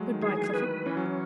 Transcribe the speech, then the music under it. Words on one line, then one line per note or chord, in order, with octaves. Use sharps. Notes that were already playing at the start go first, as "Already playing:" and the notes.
Good-bye, Clifford.
Already playing: F#3 G#3 A3
D#3
E3 G#4
D#3 B4
E3 C#4
F#3
E3